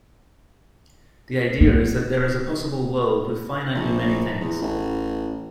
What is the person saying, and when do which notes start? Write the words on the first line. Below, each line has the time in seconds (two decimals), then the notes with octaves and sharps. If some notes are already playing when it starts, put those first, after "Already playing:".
The idea is that there is a possible world with finitely many things.
1.61 B3
3.75 A#1
4.40 E2
4.62 A1